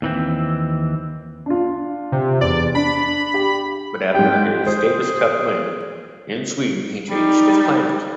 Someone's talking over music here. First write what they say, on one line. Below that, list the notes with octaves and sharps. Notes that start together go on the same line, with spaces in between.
But after his Davis Cup win in Sweden, he changed his plans.
D#2 E3 C4
D4 F4
C3
E2 D5
D4 B5
G4
G#2 G4 G5
G#4 C5
G3 D#4